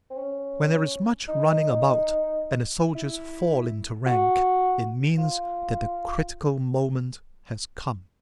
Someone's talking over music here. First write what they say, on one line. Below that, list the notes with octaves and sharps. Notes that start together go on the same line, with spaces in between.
When there is much running about and the soldiers fall into rank, it means that the critical moment has come.
C4
C#4
D#4
E4
F#4
F4